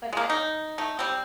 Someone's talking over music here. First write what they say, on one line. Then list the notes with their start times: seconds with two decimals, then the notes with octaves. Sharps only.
but that
0.13 G#3 A#3
0.30 D#4
0.78 A3 D#4
0.99 G3 C4